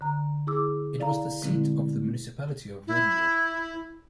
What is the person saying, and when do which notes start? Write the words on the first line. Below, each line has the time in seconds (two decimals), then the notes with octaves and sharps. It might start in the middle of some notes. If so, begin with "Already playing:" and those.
It was the seat of the municipality of Vermio.
0.01 D3 A#5
0.47 E4 G#4 D6 E6
0.98 E4 D5 F5 A#5
1.42 A#2 D3 G3 G#3 C4 E4
2.87 E4